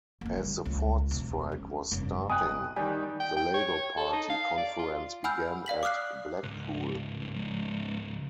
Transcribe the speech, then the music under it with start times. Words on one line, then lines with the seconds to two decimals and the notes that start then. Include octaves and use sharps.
As the Ford strike was starting, the Labour Party conference began at Blackpool.
0.21 F#1 F2
0.37 D3 G3
0.66 C#2
1.11 E1
1.52 C#4
1.92 F1 G2
2.30 G5 G#5 D#6 F#6
2.76 D#3 G3 G#5
3.20 G5
3.37 G5
3.54 C#5
3.97 A4
4.13 D#4
4.30 F5
4.58 D5
4.79 F4
5.24 F#5 G#5 B5 E6 F6 G6
5.66 D5 F5 B6 F#7
5.83 D6 D#6 F6 F#6 C7
6.43 C#2 G#2